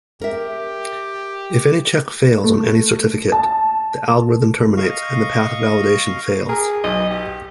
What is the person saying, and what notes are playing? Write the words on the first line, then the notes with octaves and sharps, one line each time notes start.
If any check fails on any certificate, the algorithm terminates and path validation fails.
G4 A#4 E5
A3
A5
D#5 F5 C#6
G#4 A#4
B1 D#5
G4